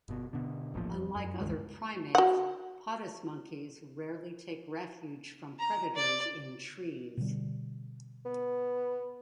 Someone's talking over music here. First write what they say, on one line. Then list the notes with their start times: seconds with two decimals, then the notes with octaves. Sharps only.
Unlike other primates, patas monkeys rarely take refuge from predators in trees.
0.09 G1 B2
0.33 B2 D3
0.74 D#1 A1 A#2 F3
0.93 F2
1.16 F#2
1.41 C#2 G2 D#3 G#3
2.15 F#4 F#5
5.59 A#5
5.95 D5
7.17 B2 D3 G3
8.25 B3